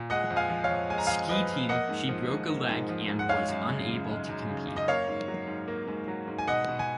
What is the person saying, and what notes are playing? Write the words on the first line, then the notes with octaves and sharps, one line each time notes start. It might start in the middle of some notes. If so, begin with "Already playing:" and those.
Ski Team, she broke a leg and was unable to compete.
Already playing: A#2
G#3 D#5 F#5
F2
F5 G#5
F3
C#5 F5
F2
G#3 G#5
A#5
F2 F5 G#5
F3 B4 D#5
F2
A#3 D#5 F#5
G#2
F3
G#2
A#3
G#2
F3
G#2
F#5
G#3 C#5 F5
F#2
C#3
F#2
G#3
F#2
C#3
F#2
D#5
A#3 C#5 F5
G#2
F#3
G#2
A#3
G#2
F#3
G#2
G#5
B2 D#5 F#5
B2
G#5